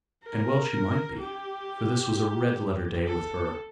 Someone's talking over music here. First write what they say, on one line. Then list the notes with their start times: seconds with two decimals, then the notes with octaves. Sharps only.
And well she might be, for this was a red-letter day with her.
0.23 A#4
1.17 G4
3.06 A4